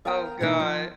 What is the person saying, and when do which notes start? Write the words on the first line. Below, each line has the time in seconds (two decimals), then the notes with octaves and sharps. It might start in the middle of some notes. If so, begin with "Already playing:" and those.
Oh, god.
0.05 B3 A#4 F5 G5 A#5
0.40 B2 E3 A#3 D#4
0.60 F3